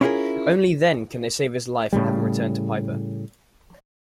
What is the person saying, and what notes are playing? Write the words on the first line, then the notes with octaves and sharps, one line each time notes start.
Only then can they save his life and have him returned to Piper.
C#4 E4 F4 G4 G#4 A#4
A2 C#3 G3